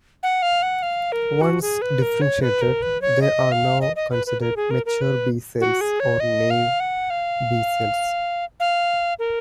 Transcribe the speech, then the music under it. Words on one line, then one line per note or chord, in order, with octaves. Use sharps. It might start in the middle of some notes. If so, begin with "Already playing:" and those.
Once differentiated, they are now considered mature B cells, or naive B cells.
F#5
F5
F#5
F5
A#4
F#4
G#4
B4
A#4
C#5
B4
A#4
B4
C#5
D#5
F5
D#5
D#5
B4
B4
A#4
G#4
A#4
A#4
B4
F#4
G#4
C#5
D#5
F5
F#5
F5
F5
A#4